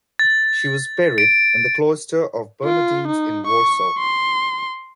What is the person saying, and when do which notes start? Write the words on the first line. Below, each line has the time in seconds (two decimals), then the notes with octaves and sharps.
She was buried in the cloister of Bernardin's in Warsaw.
0.19 A6
1.18 D7
2.64 F4
3.08 D#4
3.47 C#6
3.99 C6